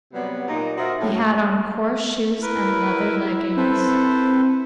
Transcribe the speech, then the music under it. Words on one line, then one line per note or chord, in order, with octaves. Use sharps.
He had on coarse shoes and leather leggings.
C3 F#3 G3 B3
A#2 D#4
F4 F#4 A#4 C5 D#5 E5
A2 C#3 F#3
E4 A#4 B4
C4 A4 B4 C5